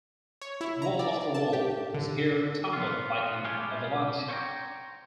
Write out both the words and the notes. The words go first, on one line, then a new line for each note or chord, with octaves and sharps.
Wall after wall was heard tumbling like an avalanche.
C#5
E4
A#5
D5
D5
A5
G4
D3
B3 F4
G3 G#3 C#4 D4 F4 G4
C5 C#5 E5 G5 A#5